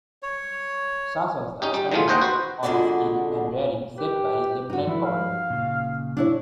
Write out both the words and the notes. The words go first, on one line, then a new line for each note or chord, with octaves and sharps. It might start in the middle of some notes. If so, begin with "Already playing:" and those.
Such was the standard of skill and daring set by Lt.Cdr.
C#5
C#4 D#4 G4
G3 G4
D#3 E3 G#3 A3 B3 F4
D#2 D#4 C5 D#5 F#5 G5
F#4 B4 C5
F2 D3 G#3 A3 F#4 D5
G4 B4
D#4 F#4
F3 E4 A4 B4
F5
A#2 C#3
D4 E4 C#5